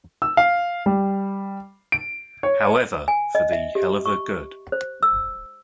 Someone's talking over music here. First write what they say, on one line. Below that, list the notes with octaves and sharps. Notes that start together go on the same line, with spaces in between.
However, for the Heluva Good!
E6
F5
G3
D7
C#5
G#5
D#5
E5
G4
C#6
C5
E6